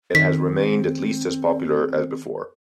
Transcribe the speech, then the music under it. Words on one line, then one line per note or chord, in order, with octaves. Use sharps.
It has remained at least as popular as before.
D#3 C4 B6